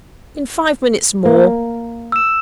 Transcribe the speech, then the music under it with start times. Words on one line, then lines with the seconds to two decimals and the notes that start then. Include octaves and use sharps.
'In five minutes more--.
1.25 A#3
2.12 E6 E7